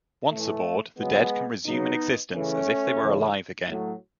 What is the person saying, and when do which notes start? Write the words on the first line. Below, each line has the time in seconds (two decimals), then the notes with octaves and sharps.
Once aboard, the dead can resume an existence as if they were alive again.
0.31 A2 E3 A3
0.98 C#3 F#3 G#3 B3
1.65 C#3 F#3 B3 D#4
2.33 C#3 E3 A3 C#4
3.00 C#3 E3
3.68 A2 F#3